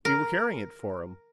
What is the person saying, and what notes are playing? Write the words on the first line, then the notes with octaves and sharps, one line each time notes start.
"We were carrying it for him."
A#4